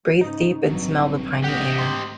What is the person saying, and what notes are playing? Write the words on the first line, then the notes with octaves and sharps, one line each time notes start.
Breathe deep and smell the piny air.
G#2 C#3 D#4
A1 G2 D3 F#3 C4 D4
G4 D#5 F#5
D2 G#2 A#5 C6